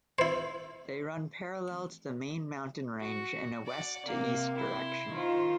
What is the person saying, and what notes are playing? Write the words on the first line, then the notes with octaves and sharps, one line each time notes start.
They run parallel to the main mountain range in a west to east direction.
E4 C5
F#4
D5 F#5
C3 A#3
E4 C6
D#3 F4 C5